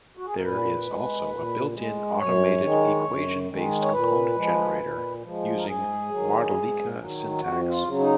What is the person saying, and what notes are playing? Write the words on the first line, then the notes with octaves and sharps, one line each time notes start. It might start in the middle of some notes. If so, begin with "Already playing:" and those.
There is also a built-in automated equation based component generator using Modelica syntax.
F#4
G#4
A#4
A#2 B4
G#3
A#2
G#3
F#2 C#5
D#3 G#3
F#2
D#3 G#3
C#5
A#2 B4
F3 G#3
A#2
F3 G#3
A#4
G#2 G#4
D#3 F#3
G#2
D#3 F#3
F2 F#4
F4
C#3 F#3
D#4